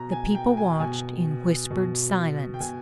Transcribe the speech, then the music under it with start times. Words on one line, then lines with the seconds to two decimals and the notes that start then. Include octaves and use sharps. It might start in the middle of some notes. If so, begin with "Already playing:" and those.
The people watched in whispered silence.
Already playing: B2 A#5
0.12 G#5
0.35 G5
0.57 G#5
0.80 B2 G#5
1.71 B2
2.54 G5
2.60 B2 G#5